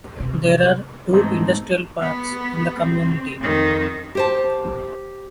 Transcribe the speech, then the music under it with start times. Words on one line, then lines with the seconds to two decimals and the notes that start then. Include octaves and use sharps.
There are two industrial parks in the community.
0.20 C3
1.13 E2 G#2 A3 C4 D#4
2.01 B3
2.80 C4
3.40 F2 D#3
4.15 G4 C5 A5